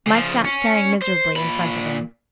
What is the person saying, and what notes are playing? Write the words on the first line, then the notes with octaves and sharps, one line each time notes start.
Mike sat staring miserably in front of him.
C#3 F3
C#4
C5
A#2 B5